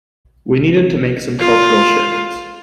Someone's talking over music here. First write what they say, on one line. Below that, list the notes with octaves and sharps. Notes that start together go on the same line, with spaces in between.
We needed to make some cultural shifts.
F4